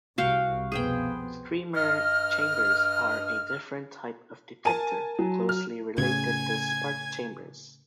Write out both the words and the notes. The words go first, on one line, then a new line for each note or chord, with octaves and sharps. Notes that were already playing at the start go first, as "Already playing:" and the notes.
Streamer chambers are a different type of detector, closely related to spark chambers.
C2 F#4 F5 G5
F2 B2 B3 G#4 C5 G5
G2 D#5 F6
A#4 G#5 A5 D#7
F#3
F6
A2 C#3 G#5 G#6